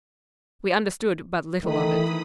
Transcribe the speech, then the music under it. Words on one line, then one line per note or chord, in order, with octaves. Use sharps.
We understood but little of it.
D#3 E3 A3 A4 B5 D#6